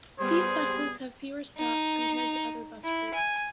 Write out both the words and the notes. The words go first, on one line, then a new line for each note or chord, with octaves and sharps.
These buses have fewer stops compared to other bus routes.
G3 B3 G#4 C5
D#4
E4
G#5